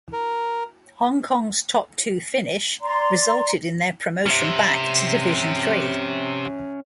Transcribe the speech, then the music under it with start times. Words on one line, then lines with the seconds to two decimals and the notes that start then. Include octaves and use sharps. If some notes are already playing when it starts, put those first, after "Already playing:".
Hong Kong's top two finish resulted in their promotion back to Division Three.
0.13 A#4
2.81 D5 A#5 C6
4.26 C3 C#4 E5